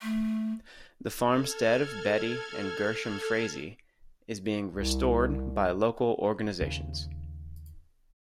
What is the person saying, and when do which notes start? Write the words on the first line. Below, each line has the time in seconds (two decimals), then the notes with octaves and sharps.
The farmstead of Betty and Gershom Frazee is being restored by local organizations.
0.02 A3
1.20 A4 F6 G#6
4.72 C2
6.61 D#2 C#3